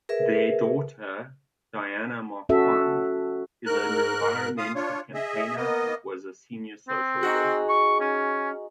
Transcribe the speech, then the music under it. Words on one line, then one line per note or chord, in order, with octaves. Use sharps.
Their daughter Diana Marquand is an environmental campaigner and was a senior social worker.
G#4 A#4 B4 E5
C#4 F#4 A4 E5
G#2 A#4 F#6
F4 F5 D#6
D4 F4 C#5
G#4 D#5 E5
A#3 B3 D#5
C4
D#4 F#4 G#4
C#6
C#4